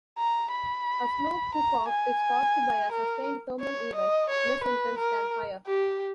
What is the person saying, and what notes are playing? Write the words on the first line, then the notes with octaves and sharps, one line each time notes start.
A slow cook-off is caused by a sustained thermal event less intense than fire.
A#5
B5
A#5
G#5
A#4
C#5
D#5
C#5
B4
A#4
G4